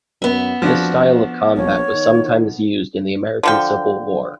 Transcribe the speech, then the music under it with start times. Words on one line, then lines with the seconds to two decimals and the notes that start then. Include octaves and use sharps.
This style of combat was sometimes used in the American Civil War.
0.22 F#2 B3 E5
0.62 F2 F3 D4 F#4
1.56 A#1 C#5
1.95 D#3
3.43 D3 F3 G5